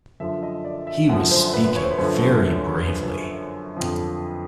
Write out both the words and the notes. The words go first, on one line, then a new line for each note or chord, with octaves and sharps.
He was speaking very bravely.
F#2 D3 F3 E5
D#5
D5
E5
F#2 D3 F3 F#5
C5
B4
C#5
C5
B4
F#2 D3 F3 C5
F#2 D3 F3 B4
F2 D3 F3